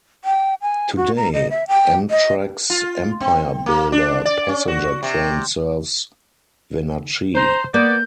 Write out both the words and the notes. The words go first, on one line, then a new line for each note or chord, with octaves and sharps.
Today, Amtrak's "Empire Builder" passenger train serves Wenatchee.
G5
G#5
F#4
A#5
D#5
E5
G5
D#5
F4
C4
A#3
D4
D5
C#4
F#4
C3
C5 A#5
A#3 B3 D5 G6